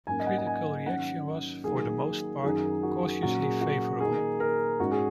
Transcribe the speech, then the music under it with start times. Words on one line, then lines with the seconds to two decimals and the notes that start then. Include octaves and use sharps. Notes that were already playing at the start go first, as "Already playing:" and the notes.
Critical reaction was, for the most part, cautiously favorable.
0.07 G#2 F#3 A#3 C#4 G#5
0.20 D#5
0.26 F#5
0.38 F#5
0.47 G#5
0.86 D#3 F#3 C#4 F#5
1.64 D#3 F#3 A#3 G#4
2.43 F#2 D#3 F#3 D#4 G#4
2.83 F#4
3.22 A#2 F#3 C#4 F#4
3.41 G#4
3.61 F#4
4.00 D#3 A#3 D#4 G#4
4.40 A#4
4.80 G#2 G#3 C#4 F#4
4.91 G#4